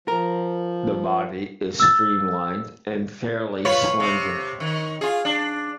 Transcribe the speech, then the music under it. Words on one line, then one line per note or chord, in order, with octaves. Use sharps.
The body is streamlined and fairly slender.
F3 A#4
E6 A6
F4 B4 C#5
C3
D#3
F4 G#4
D4